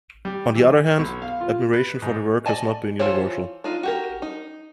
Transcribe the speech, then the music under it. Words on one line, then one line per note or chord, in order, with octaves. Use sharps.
On the other hand, admiration for the work has not been universal.
G3
E3
B1
F5
F4
B4
G#2
D5 D#5 G#5 A5
E3 F4 A4 C5 C#5
D4 D#4 F4
F#4 G4 A#4
D#4